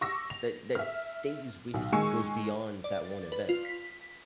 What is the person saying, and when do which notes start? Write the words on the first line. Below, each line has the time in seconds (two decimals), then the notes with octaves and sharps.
That that stays with you, goes beyond that one event,
0.01 C#6 D6 E6 A#6
0.30 F7
0.75 E5 F6
1.74 B1
1.92 D#3 G#3 G#5 C#6 E6 C#7
2.84 D5
3.32 B4
3.49 F4
3.65 B6